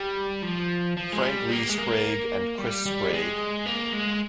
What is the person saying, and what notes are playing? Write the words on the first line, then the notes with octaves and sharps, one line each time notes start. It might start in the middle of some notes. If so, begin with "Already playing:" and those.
Frank Lee Sprague and Chris Sprague.
Already playing: G3
F3
F3
G#3
G3
A#3
G#3
A#3
G3
G3
G#3
A#3
G#3